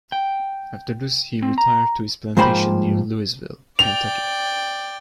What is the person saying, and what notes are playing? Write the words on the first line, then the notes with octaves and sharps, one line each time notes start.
After this he retired to his plantation near Louisville, Kentucky.
G5
C4
A#5
G#2 F3 A#3 C5 G5 B5
D5 G5 F7